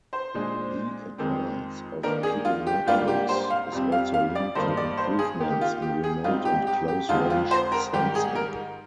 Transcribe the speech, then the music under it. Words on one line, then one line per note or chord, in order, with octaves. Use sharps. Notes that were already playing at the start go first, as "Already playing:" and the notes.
The advance of pedometrics is also linked to improvements in remote and close-range sensing.
C5
A#2 G#3 D4
F2 D#3 G#3 C4
D#3 A#3 D4 A#4
G#4
F4
G4
G#2 G3 A#3 D4 F4
G4
C5
F5
F2 C3 G3 C4
F5
F5
D5
G2 D#3 A#3 D#4 C5
D5
C5
G#4
D#3 A#3 D#4 G4
G4
F4
G4
G#4
G#2 G3 C4 D#4 F4
G4
G4
G4
F2 D3 F3 G#3 C4 F4
F4
C5
A#4
G#2 D#3 G3 G4
G#4
A#4